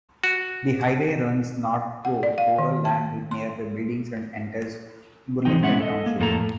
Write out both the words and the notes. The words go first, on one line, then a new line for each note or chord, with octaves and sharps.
The highway runs north through rural land with nearby buildings and enters Burlington Township.
F#4
F#5
D5
F5
D#3
A5
C6
A2 D3 E3 F3 D#4 G5
A2 G#3 C#4 E4 E5 F#5
A4 D#5
A#3
F2 A2 A#3 A4 A5 A#5
A2